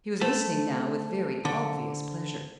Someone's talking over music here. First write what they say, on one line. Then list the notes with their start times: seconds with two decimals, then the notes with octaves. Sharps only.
He was listening now with very obvious pleasure.
0.21 A3 C5 A5
1.45 D3